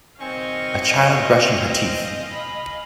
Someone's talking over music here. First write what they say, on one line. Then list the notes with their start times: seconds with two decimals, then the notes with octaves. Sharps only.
A child brushing her teeth.
0.20 D#3 F#3 C4 D#5 F5 G#5 C#6
2.31 B5